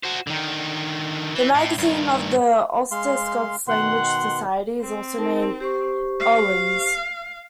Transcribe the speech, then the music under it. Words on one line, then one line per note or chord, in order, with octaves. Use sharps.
The magazine of the Ulster-Scots Language Society is also named "Ullans".
F#4 C5
D3 D#3
E3
A2
G2 D#3
G#3 F5 C6
B2 D#3 F#5 C6
C4
D#4 A#4 A5
G4 C5 C#6
F5